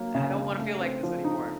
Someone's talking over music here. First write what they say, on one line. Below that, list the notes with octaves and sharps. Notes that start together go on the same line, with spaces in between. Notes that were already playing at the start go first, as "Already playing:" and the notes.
I don't wanna feel like this anymore."
Already playing: F#3 A#3
C#3
C#3
A3
C4
F3
D#4